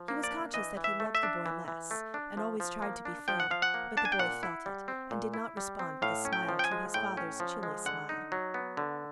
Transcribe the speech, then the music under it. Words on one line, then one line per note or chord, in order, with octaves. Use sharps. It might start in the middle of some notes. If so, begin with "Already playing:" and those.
He was conscious that he loved the boy less, and always tried to be fair; but the boy felt it, and did not respond with a smile to his father's chilly smile.
Already playing: F3
A#3
D5
D4
E3 D#5
E3
E5
A3
E5
D4
E3
E3
A3
D4
F3
F3
A#3
D4
F3 G5
F#5
F3 F5
F#5
A#3
D4 A5
G#5
G5
A#2 F#5
E4
G3
C4
A#2
E4
G3
C4
A2 F5
C#4
G5
F3
G5
G#5
G#3
A2 G5
C#4
F3
G#3
D3 F#5
D#4
F#3
B3
D3